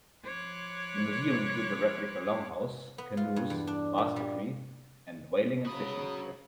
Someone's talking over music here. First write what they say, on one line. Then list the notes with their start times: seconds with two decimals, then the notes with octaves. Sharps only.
The museum includes a replica longhouse, canoes, basketry and whaling and fishing gear.
0.24 F3 C#5 B5 C6 D6 F#6
2.98 B3
3.17 F4
3.36 G2
3.50 E2
3.67 D4
3.98 A#2
4.16 G3
5.65 C#3 F#3 F#4 B5 D#6